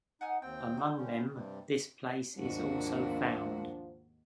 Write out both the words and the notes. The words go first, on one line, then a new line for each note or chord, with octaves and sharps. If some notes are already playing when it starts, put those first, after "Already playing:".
Among them this place is also found.
D#4 F#5 G#5 F6
D#2 C4 G5 G6
D#4 F#4 G5
D3 G3 C#4
G2 C3 G3
D#2 G#2 F3 A#3 D4 F#4